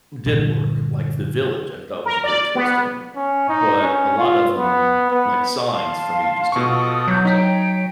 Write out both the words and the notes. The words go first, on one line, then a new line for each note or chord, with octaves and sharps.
did work, like, The Village, I thought was a great twist ending, but a lot of 'em, like Signs, for me, just didn't work, so,
G2 A#2 D3 E3
A#4
D5
B3
C#4
D#4
C#4
F4
B3
B3
F5 A5 C6
B2 F4 A4 C#6 D#6
F#3 E4 D6 G6
D#4 C#5 G5 B6